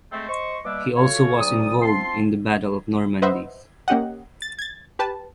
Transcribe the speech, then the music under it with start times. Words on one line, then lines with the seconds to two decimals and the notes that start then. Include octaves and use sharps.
He also was involved in the Battle of Normandy.
0.12 G#3 A3 C4
0.29 C5 D#5 C6 C#6
0.65 B2 G3 A#3 D4 E5 D6
0.96 F4 F#4 A4 C#5
1.39 D2 F#3 D5 D#6
1.82 F3 C4 A5 C6
3.22 B4 C5 D#5 E5 F#5
3.88 A#3 C#4 G4 D#5 F#5
4.42 A6
4.59 G#6 A6
4.99 G4 B4 A5